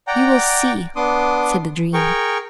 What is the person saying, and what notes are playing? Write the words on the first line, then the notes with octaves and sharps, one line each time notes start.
"You will see," said the dream.
D5 F#5 G5 A#5
B3 D4 C6 D6 D#6
G#4 A#4 G5 C#6